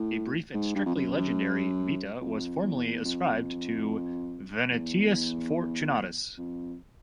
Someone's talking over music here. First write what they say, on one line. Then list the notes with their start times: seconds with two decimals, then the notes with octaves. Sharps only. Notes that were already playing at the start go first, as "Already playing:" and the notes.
A brief and strictly legendary "Vita" was formerly ascribed to Venantius Fortunatus.
Already playing: A2
0.54 G#2
0.75 G2
0.86 F2
0.96 F#2
1.17 F#2
2.21 F2
2.63 E2
3.05 F2
4.71 E2
6.38 F2